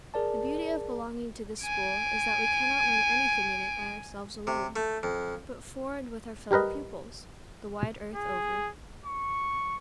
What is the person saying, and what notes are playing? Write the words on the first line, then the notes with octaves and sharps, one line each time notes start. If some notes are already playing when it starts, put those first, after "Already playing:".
The beauty of belonging to this school is that we cannot learn anything in it by ourselves alone, but for and with our fellow pupils, the wide earth over.
G#4 A#4 D5 A5
G#5 D7
C3
A3
F2
G3 G4 A#4 B4 D#5
G#4
C#6